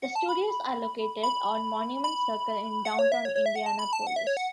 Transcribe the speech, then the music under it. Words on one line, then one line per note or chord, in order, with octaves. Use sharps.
The studios are located on Monument Circle in downtown Indianapolis.
F#5
A5
B5
B5
B5
F#5
C#5
E5
C#5
C#5
E5
F#5
A5
B5
A5
F#5
E5
C#5
F#5